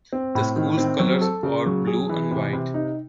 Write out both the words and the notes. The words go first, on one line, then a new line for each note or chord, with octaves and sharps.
The school's colors are blue and white.
C4
A2
D#3
C4
F#3
A4
C#3
F#3
G#4
E3
C3
C3
D#4